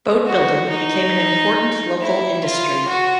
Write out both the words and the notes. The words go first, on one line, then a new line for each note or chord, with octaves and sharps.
Boat building became an important local industry.
F#4
D#4
E4
F4
F#4